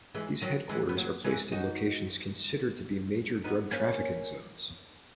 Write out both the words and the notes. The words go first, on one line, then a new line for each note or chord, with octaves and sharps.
These headquarters are placed in locations considered to be major drug trafficking zones.
E3 G#3
D#3 F#3
E3 G#3
B3
F#3 A#3
E3 G#3
D#4 F#4
B3 D#4
A#3 C#4